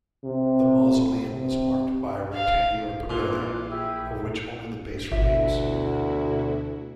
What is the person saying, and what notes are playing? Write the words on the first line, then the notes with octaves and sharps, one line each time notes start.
The mausoleum was marked by a rectangular pagoda, of which only the base remains.
C3
C3
F5
A#1 A#2 E3 A#3 F4
E4 G4 G#4 E6
G#1 D2 B2 E4 F#4 E5